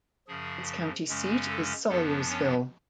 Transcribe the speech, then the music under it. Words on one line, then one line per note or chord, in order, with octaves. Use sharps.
Its county seat is Salyersville.
F#2 C#3 F3 G#4
F#2 C#3 G#3 C#4
A4
F#2 F3 B3 D4 A4
C#4 C#5